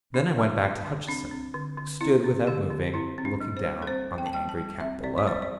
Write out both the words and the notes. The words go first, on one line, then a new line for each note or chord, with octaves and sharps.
Then I went back to Hutcheson, who stood without moving, looking down on the angry cat below.
D3 D4
G3
D4
D3
C4 D4
C4
D3
D3
C4 E4
C4
D3 G4
D3
C4 E4
C4
D4
G3
C5
G3
A4
C4 C5
C4
G5
A5
G3 G5
A5
G3
C4 E5
C4 D5
D5
G3 C5
D5